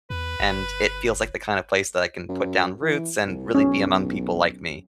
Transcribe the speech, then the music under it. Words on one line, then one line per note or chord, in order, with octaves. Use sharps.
and it feels like the kinda place that I can put down roots and really be among people like me.
E2 B4
G1
F#2
E3
C2
B1 C#4